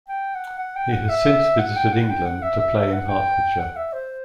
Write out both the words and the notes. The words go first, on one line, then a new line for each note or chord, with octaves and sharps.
He has since visited England to play in Hertfordshire.
G5
F#5
F#5
G5
F#5
E5
F#5
G5
F#5
G5
F#5
E5
E5
E5
F#5
G5
F#5
E5
C5